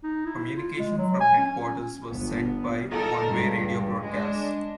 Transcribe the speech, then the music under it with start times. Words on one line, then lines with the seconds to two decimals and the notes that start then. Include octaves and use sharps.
Communication from headquarters were sent by one-way radio broadcasts.
0.03 D#4
0.26 E4
0.57 F4
0.79 G#3
0.98 F#3
1.21 G#5
1.38 C#4
1.58 C#4
2.09 G1 B3
2.89 D#4 A4 A#4
3.29 C#2 G2
4.03 G#3 D4